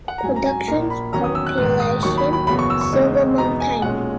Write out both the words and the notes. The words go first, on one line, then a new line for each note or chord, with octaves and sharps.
Productions compilation "Silver Monk Time".
F#5
A#5
G#2 F#3 C#4 G#5
A#5
G#5
A#1 A#2 A#3 A#5
B5
E2 D#3 F#3 C#4 A#5
D#6
E6
F#6
A#1 G#2 D#3 F#6
D#6
D#2 D#3 F#3 C#6
B5
B5
F#1 E2 C#3 F#3 B3 B5
C#6
E6
C#6
E2 C#3 G#3 D#4
E2 B2 G#3 B3 D#4 A#5
G#5
B1 A#2 G#3 C#4 F#5